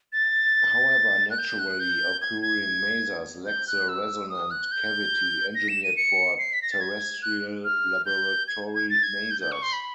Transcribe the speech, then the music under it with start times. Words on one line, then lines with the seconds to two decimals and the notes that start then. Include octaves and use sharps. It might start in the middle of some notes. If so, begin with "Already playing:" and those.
However, naturally occurring masers lack the resonant cavity engineered for terrestrial laboratory masers.
0.13 A6
1.30 F#6
1.38 G6
1.59 F#6
1.80 G6
2.21 G#6
2.42 G#6
3.46 G6
3.68 F#6
3.88 E6
4.30 D#6
4.51 F#6
4.72 G6
5.55 A#6
5.69 E7
5.84 D#7
5.97 C#7
6.38 C7
6.53 B6
6.62 A#6
6.72 A6
6.81 G#6
7.22 F#6
7.64 F6
8.06 G6
8.48 G#6
8.75 G#6
8.90 A6
9.03 G#6
9.31 G6
9.41 G6
9.52 C#6
9.63 C6
9.73 B5